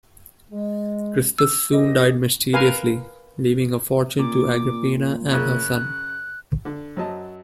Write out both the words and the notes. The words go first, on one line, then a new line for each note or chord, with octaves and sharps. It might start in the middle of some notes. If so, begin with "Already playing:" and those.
Crispus soon died mysteriously, leaving a fortune to Agrippina and her son.
G#3
E6
C2 G4 D#5
A#4 B4 F5 G#5
A#2 D6
F#2 C#3 F#6
D3
F#2 F#3 D#5 A5